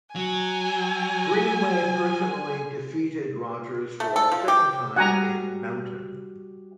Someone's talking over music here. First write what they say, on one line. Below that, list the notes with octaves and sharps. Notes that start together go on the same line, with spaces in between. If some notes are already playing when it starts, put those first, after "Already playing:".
Greenway personally defeated Rogers for a second time in Mountain.
F#3 G#5
A3
A4
F3
G4
G3 F#4 F#5 G#5 A#5